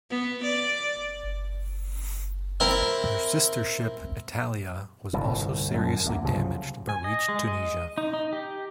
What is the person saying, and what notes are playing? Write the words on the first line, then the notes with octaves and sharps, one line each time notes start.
Her sister ship, "Italia", was also seriously damaged but reached Tunisia.
B3
D5
C4 E4 A#4
G1 C2 A2
F#2 F3
D2 A#3
C2 C#3 F3 F#3
G#5
D#5
G#3
D#5
D#4
D#4
G4